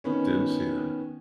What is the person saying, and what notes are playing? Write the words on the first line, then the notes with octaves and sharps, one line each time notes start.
Didn't see that.
D#3 B3 C#4